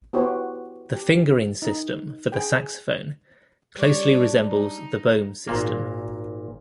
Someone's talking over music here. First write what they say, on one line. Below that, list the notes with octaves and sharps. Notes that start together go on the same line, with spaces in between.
The fingering system for the saxophone closely resembles the Boehm system.
B3 E4 F#4 G4 C5 C#5
G4
D#4
G#4 G5
G3 D4 G4 C#5 D5
D#4
G#1 A#2 A#3